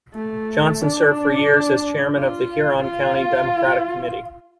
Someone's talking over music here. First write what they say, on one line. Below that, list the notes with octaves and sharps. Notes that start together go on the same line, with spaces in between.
Johnson served for years as chairman of the Huron County Democratic Committee.
A3
D4
F4
F4